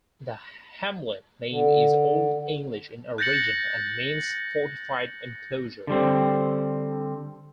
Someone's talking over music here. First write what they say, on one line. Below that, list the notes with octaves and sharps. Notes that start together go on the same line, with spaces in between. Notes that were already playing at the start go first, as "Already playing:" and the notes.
The hamlet name is Old English in origin, and means 'fortified enclosure'.
D3
F#6 G6 A6 A#6 C#7 F#7
D3 G3 C4